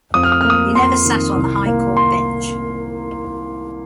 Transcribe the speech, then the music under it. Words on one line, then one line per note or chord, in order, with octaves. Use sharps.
He never sat on the High Court bench.
F2 D#6
F6
D#6
F6
A#3
D#6
F2 C6
D#3
C2
A#3
C6